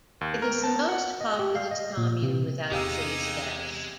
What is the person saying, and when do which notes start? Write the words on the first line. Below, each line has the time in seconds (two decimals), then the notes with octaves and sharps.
It is the most-populous commune without city status.
0.21 D#2
0.42 A#4
0.64 A5
0.89 F#5
1.21 D#5
1.39 G4
1.56 F5
1.71 D#5
1.97 A#2
2.22 C3
2.71 E2 C3 G#3 D#4 G4 G#4 F5 E6